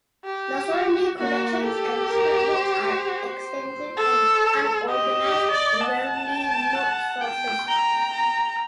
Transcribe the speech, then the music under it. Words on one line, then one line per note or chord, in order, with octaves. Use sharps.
The Hornby collections and scrapbooks are extensive and unorganised, and rarely note sources.
G4
A#3 F#4
G4 A4
A#4
C5
A4
G4 D#5
G4
D5
F#5 A5
G5
F#5
G5
G5 A#5
A#5